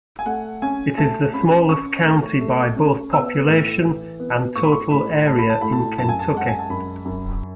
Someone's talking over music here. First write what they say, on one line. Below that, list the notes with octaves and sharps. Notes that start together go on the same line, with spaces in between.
It is the smallest county by both population and total area in Kentucky.
G#5
A3 F#5
C#4 G#5
A3 A5
C#4 B5
C#4 C#6
A3
A3
C#4
B3 E6
A2
E3
B3
A2 C#6
B5
C#6
A2 B5
A2 A5
B5
A5
A2 B5
A5
F#2 A5
G#5
A5
G#3 F#5
G#5
A5
F#2 B5
F#2